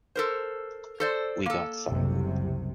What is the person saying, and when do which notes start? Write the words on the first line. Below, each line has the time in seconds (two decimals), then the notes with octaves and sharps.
We got silent.
0.15 A4 A#4 C5
1.00 A4 C5 D5
1.46 A#3 A4
1.88 F#1 C2 C3